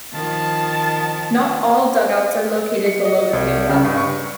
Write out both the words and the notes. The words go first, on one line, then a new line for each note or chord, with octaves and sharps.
Not all dugouts are located below the field level.
D#3 F3 A5
C#7
D#5
C2
C#3
G2
C#6